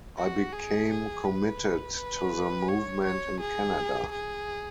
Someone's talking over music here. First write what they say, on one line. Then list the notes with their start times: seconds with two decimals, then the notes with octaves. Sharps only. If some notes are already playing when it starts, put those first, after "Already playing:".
I became committed to the movement in Canada.
0.17 F#4
0.53 G#4
0.89 G#4
1.25 B4
1.97 B4
2.68 C#5
3.04 C#5
3.40 G#4
4.12 G#4